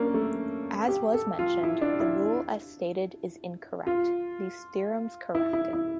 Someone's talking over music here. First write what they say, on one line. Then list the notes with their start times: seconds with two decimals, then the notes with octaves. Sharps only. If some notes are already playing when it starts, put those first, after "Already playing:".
As was mentioned, the rule as stated is incorrect; these theorems correct it.
Already playing: A#3 C#4 D4
0.14 A3
0.88 G4
1.14 A4
1.39 F4
1.63 E4
1.81 D4
2.00 E4
3.87 F4
5.35 E4
5.53 E4
5.73 E4